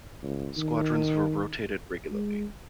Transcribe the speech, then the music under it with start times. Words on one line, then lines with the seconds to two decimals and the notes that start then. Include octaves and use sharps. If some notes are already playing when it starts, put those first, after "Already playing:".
Squadrons were rotated regularly.
0.23 C#2
0.57 D#3
2.12 G#3